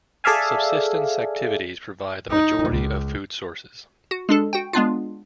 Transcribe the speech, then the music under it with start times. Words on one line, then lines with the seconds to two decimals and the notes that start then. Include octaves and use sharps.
Subsistence activities provide the majority of food sources.
0.24 G#4 A4 D5 E5 F5 G#5
2.30 D#4
2.68 C#2
4.11 F#4
4.29 G#3 D4 A4
4.53 F#4 G5
4.73 G#3 B3 D4 F4